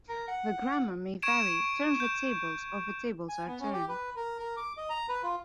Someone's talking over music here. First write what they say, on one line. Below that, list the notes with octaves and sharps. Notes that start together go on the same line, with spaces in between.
The grammar may vary - "turn the tables" or "the tables are turned".
A#4
F#5
C#6 G#6 D7 E7
G6
G#5
B3
C#4
G4
B4
A#4
A#4
D6
D#5
A#5
B4
F4